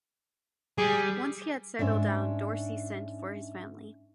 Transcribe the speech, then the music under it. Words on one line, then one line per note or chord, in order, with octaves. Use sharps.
Once he had settled down, Dorsey sent for his family.
G3 G#4
G#2 C#4 D4 E5